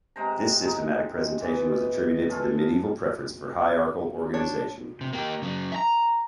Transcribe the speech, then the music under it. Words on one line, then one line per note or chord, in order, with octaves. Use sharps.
This systematic presentation was attributed to the Medieval preference for hierarchal organization.
C3 G#3 C5 A#5
G#3 D#4
E3 B3
B3 C#4 F4 A4
D4 C#5
C3
A#3 G4
C#3 F#3
E5 A#5